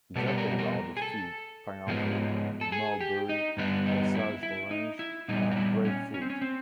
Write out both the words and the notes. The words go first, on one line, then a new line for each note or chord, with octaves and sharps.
Examples are the fig, pineapple, mulberry, osage-orange, and breadfruit.
B2 G3 B3 A4
A4
A#4
A#4
G#4
A4
G#2 F3 G#3 B3
A4
G#4
G4
D#4
G2 D3 G3 B3 D4
D#4
E4
E4
D#4
E4
A#2 G3 B3 D#4
D#4
E4
C#4
C#4
C4
C#4
C4